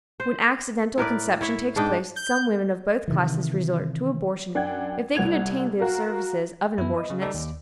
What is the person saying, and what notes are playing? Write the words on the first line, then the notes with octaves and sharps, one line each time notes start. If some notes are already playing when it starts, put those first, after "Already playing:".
When accidental conception takes place, some women of both classes resort to abortion if they can obtain the services of an abortionist.
C5
A2 A#4 B4 D5
E4 C#5 E5
G#2 D4 D#5 G5
G6
C3 D#3 E3
F#2 D4 F#5 G5 G#6
C2 F#5 G#6 F7
F#4 A#4 F5
F#2 B3 E4
B4 D#5
C#3
G3 D#4 A4 D5
D#2